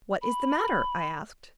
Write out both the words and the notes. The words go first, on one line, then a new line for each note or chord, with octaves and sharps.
"What is the matter?" I asked.
B5